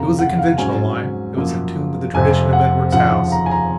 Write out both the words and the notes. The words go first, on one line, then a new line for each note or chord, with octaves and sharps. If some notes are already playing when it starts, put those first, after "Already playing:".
It was the conventional line; it was in tune with the tradition of Edward's house.
Already playing: F1 D#2 C#3 F3 A#3 A#5
F#5
F5
G#2 F#3 C#4 G#5
F#2 F3 A#3
F1 F2 C3 G#5
F#5
F1 D#2 C#3 F3 F#5
A#5
G#5
A#5